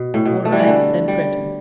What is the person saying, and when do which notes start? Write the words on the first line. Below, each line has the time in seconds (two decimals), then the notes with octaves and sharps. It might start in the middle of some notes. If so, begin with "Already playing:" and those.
"All right," said Breton.
Already playing: B2
0.14 A2
0.26 B2
0.45 A3
0.52 G3
0.59 E3
0.67 D3
1.08 G3